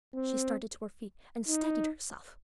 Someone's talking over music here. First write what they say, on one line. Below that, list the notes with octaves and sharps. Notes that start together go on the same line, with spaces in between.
She started to her feet, and steadied herself!
C4
D#4